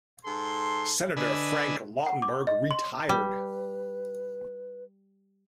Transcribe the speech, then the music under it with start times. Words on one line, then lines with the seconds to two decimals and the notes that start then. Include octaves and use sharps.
Senator Frank Lautenberg retired.
0.25 G#2 A4 C6
1.17 D3 D4 B4 D#5 G#5 E6
2.06 F#5
2.22 D6
2.47 D#5
2.71 C6
3.09 G3 B4